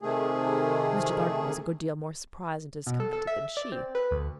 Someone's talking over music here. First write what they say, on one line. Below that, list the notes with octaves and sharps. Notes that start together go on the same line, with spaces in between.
Mr. Thornton was a good deal more surprised and discomfited than she.
C3 D#3 A3 G#4
B2
A4
A4
E5
D5
C4
B4
D2